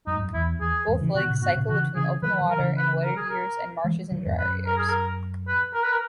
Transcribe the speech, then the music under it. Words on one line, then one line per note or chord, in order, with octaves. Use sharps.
Both lakes cycle between open water in wetter years and marshes in drier years.
F#2 D#4
G#2
F#2
E2 E4
E2 G#4
E2 G#2
C#3 E3
B2 D#3 F#4
A#2 C#3
G#2 B2 F#4
A#2 C#3
C#3 E3 F#4
C#3 E3 G#4
D#3 F#3 B4
D#3 F#3
A#4
C#3 E3
B4
A#4
G#4
A#4
E3 G#3
D#3 F#3
E2 G#2
F#2 B4
A#4
G#4
A#4
B4
A#4
B4
A#4